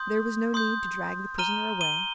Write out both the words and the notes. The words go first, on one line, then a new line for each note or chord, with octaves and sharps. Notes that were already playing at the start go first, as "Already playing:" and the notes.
There was no need to drag the prisoner away.
Already playing: C6 D#6 G6
C6 D#6 G6
A#5 F6 D#7 G7
D#7 G7